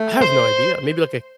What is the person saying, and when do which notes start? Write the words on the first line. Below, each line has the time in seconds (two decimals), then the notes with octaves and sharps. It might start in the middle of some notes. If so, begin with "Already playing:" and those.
I have no idea. Maybe, like, a
Already playing: A3
0.22 C5